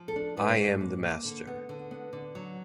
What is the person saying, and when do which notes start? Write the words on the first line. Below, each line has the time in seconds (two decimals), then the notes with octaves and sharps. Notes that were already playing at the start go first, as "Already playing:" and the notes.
I am the Master.
Already playing: F3
0.08 A4
0.16 D4
0.37 G#2 B4
0.59 G#2
0.81 A#3
1.03 A#3
1.25 D3
1.47 B3
1.69 D3
1.91 B3
2.13 D3
2.35 F#3